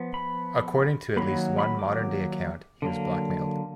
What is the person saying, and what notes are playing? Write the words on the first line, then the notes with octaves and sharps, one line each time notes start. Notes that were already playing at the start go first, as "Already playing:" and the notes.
According to at least one modern day account he was blackmailed.
Already playing: F3 B3
B5
D#3 F#3 A#3 B5
B5
D6
D3 F#3 A#3